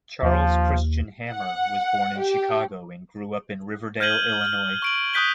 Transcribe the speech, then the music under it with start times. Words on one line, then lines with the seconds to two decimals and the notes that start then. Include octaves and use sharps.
Charles Christian Hammer was born in Chicago and grew up in Riverdale, Illinois.
0.23 D#2 F3
1.30 F#5
2.19 G4
4.00 F6 G6 G#6 D#7 F#7 G7
4.15 F#7
4.41 F6
4.82 C#6 D7 F#7
5.14 D#6 F#6 G6 B6 D#7 G7